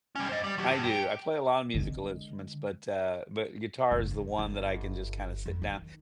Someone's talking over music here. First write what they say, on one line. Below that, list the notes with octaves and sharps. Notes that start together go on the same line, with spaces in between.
I do, I play a lot of musical instruments, but, uh but guitar is the one that I can just kinda sit down
G3 C#4
C5 D#5
G3
F#3 G4
G2
G4
D3 G#3
F#1
F2
G1
F2
D#3